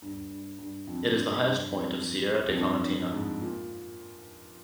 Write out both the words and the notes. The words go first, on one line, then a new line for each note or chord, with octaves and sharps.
It is the highest point of Sierra de Famatina.
G2
G2
G2
F2
G2
G2
F2
F2
G2
G2
G#2
A#2